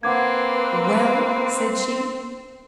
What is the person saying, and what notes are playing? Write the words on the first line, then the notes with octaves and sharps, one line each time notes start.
"Well?" said she.
A#3 C4 B4 F#5 D6 G#6